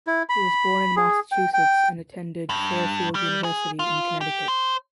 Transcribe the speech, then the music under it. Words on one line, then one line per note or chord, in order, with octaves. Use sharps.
He was born in Massachusetts and attended Fairfield University in Connecticut.
E4
B5
G#4
G5
G5
G2
G3
G#4
F4
G4
C5